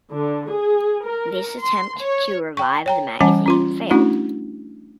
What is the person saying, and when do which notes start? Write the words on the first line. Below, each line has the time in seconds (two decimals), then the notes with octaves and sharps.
This attempt to revive the magazine failed.
0.11 D3
0.49 G#4
1.06 A#4
1.61 C6
2.00 C#5
2.57 G5 C#6
2.86 C#5 G5 A#5
3.21 E3 G3 C#4 F#5 G#5 A5
3.46 C#4 F4 C6
3.91 A3 C#4 D4 E4 F#4